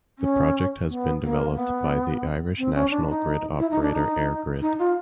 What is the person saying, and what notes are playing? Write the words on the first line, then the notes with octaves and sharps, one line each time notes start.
The project has been developed by the Irish national grid operator EirGrid.
C#4
B3
A#3
B3
C4
C#4
D4
D#4
E4
D#4
D4
D#4
D#4
F4